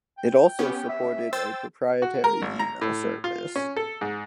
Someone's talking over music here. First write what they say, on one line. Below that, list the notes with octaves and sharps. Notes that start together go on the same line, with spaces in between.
It also supported a proprietary email service.
G5
B3 C#4 G4
E5
C5 G5 E6 A6
F#4
A#4
G#1
A#5
A2
F4
C#4
A4
G#2